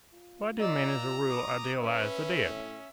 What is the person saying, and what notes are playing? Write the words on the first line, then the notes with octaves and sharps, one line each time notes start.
Why do men as a rule idealize the dead?
F4
D5 D#5 A#5 E6
D6 D#6
C#4 B4 E5
A2